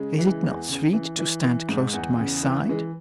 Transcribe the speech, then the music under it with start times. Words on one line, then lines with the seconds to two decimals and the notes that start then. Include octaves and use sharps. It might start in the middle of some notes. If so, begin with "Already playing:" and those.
Is it not sweet to stand close at my side?
Already playing: C#3 G#3
0.18 E3
0.43 E2
0.69 C#3
0.93 E3
1.19 E3
1.43 E3
1.69 G#2
1.93 E2
2.19 C#3
2.43 E3
2.69 E3 G#3